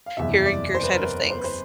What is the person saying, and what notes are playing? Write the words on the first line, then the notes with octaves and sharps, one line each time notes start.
hearing your side of things.
F5
F#1 E2 C3 E5
D5
C5
B4
A#4
B4
C5
B4
C5